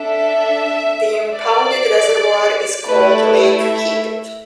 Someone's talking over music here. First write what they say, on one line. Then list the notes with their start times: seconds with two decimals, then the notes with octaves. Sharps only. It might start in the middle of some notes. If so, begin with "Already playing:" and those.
The impounded reservoir is called Lake Keepit.
Already playing: D4 A4 E5
1.35 D5
2.86 A3 E4 A4 B4
3.63 E5